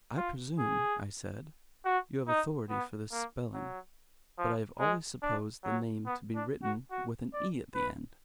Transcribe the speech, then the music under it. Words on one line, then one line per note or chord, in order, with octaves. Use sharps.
"I presume," I said, "you have authority for this spelling, but I have always supposed the name to be written with an e at the end."
F4
G#4
F#4
D#4
B3
A#3
F#3
F3
G#3
D4
F#3
B3
D4
F#4
F#4
D5
B4